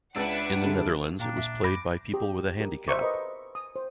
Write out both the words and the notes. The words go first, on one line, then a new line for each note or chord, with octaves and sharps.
In the Netherlands it was played by people with a handicap.
C#2 D4 B4 E5 F#5 E6 A6
D3 G3 G#3
A#2 D4 F5 G5 A#5
E5
F#2 B5 D6 G6 A#6
G4
G4 A#4
C5 E5 A#5 C#6 D6
A#4 B4 D#5
D#6
C5